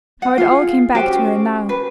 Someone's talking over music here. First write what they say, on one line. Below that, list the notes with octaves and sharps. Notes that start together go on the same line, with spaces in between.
How it all came back to her now!
F#5
F4 G#4
C#4 F#4 G4 C5
B4